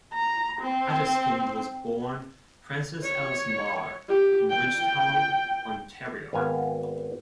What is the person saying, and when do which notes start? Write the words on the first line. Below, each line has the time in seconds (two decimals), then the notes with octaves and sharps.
Adaskin was born Frances Alice Marr in Ridgetown, Ontario.
0.14 A#5
0.61 C4
3.03 C#5
4.08 G4
4.50 G5
6.33 G#1 B3 F5 G#5